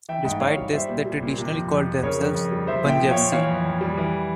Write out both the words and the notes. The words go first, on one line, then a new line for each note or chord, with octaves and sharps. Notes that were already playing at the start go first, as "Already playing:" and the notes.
Despite this, they traditionally called themselves "Bunjevci".
E3 E5 G5
G#2
G#2 C#5 F5
G3
G3 C5 E5
A#2
G3
A#2
C3
F2
F2
F3
C#3 A#4 C#5
F2
F2
G3
F3 C5 E5
A#2 E5 G5
F3
C#5 F5
A#2
E3 C#5 F5
F2
F2
G3
E3